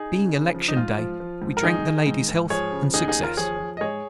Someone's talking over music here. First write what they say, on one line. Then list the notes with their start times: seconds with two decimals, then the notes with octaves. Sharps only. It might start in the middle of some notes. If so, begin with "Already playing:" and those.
Being election day we drank the Ladies health and success.
Already playing: D#4 G#4
0.11 C#3
0.33 C#3
0.55 F3
0.68 D#4
0.76 G#2 F4
0.98 F3
1.20 F3
1.42 G#2
1.57 A#4
1.63 D#3 D#4 G#4
1.85 D#3
2.07 G#2
2.29 G#2
2.50 F3 G#4 C#5
2.72 C#3
2.94 D#2 D#4 G#4
3.08 D#4 G#4
3.16 D#2
3.23 F4 A#4
3.37 F3 G#4 C#5
3.59 F3
3.77 D#5
3.81 G#2 G#4 C#5